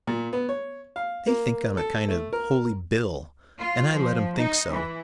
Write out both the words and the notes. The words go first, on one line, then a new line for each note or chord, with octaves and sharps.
They think I'm a kind of Holy Bill, and I let them think so.
A#2
B3
C#5
F5
A#3
A4
A3
A#4
F4
F3
D#4
E3